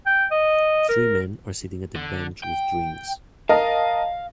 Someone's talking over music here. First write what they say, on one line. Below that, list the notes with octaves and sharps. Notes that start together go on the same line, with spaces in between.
Three men are sitting at a bench with drinks.
G5
D#5
A#4
D3
G5
A#4 D#5 F5 A5